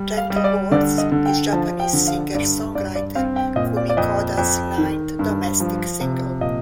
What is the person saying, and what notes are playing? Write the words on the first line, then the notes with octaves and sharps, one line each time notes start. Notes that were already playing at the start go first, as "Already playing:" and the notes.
"Gentle Words" is Japanese singer-songwriter Kumi Koda's ninth domestic single.
Already playing: G3
F5
G3
D#5
D5
D3 D5
D#5
D3
G5
F3 A5
G5
D3
F5
G2 D5
G2 D5
D5
C4 F5
G5
A#2 D#5
D5
D5
F2 D#5
F2
D#3
G2
F3
C3
A#2 D#5